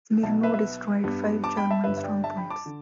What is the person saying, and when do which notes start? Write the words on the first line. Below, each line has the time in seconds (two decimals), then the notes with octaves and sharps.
Smirnov destroyed five German strongpoints.
0.23 B1 B2 B3 E5 A5
0.43 B4 E5
0.54 B4 E5
1.04 G2 G3 B3
1.44 A5 D6
1.57 G5 B5
1.71 E5 A5
1.84 G1 G2 G3 B4 E5
1.97 E5
2.03 D5 G5
2.24 E5 A5
2.37 G5 B5
2.50 A5 D6
2.66 D3